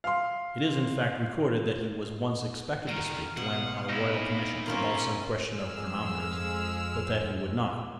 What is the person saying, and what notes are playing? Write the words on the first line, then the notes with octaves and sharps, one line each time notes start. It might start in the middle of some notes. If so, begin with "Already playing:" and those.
It is, in fact, recorded that he was once expected to speak when on a Royal Commission about some question of chronometers, but that he would not.
F5 C6
D3 D#3 F5 A#5
B2 F#5
A#2 D#4 E4
A#3 C4 C#4 F4 A#4
F2 F3 G#3 G#4 E6 F6